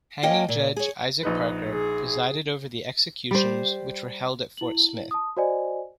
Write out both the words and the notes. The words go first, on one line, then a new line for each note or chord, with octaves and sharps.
"Hanging judge" Isaac Parker presided over the executions, which were held at Fort Smith.
A#3 C#4 D#5 G5 G#5
A#2
G#4 C#5
A#1 D#4 B4
G#4
G3 C5
E4 F#7
A5 D#6
F#4 C5 D5 D#5 G#5